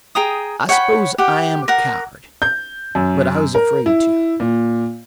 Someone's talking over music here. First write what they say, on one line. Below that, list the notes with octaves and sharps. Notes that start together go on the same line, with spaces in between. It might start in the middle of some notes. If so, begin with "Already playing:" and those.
I suppose I am a coward, but I was afraid to.
G#4 G5 A#5 D#6
C#5 F#5 G5 B5
G4 F#5 G5
A#4 F#5
G6
F#2
A#4
E4
A#2